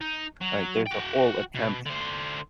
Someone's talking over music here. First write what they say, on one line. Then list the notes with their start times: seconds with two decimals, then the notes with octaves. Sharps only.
Like, there's a whole attempt
0.01 D#4
0.41 F#3
0.87 F#4 G5
1.55 B2
1.86 D3 C5